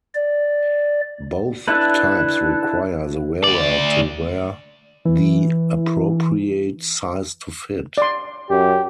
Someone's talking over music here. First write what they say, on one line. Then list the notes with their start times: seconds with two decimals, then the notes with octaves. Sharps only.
Both types require the wearer to wear the appropriate size to fit.
0.14 D5
1.68 D4 E4 A4 B4
3.44 D2 D5
5.05 E3
7.98 D5 C6
8.50 F#2 G4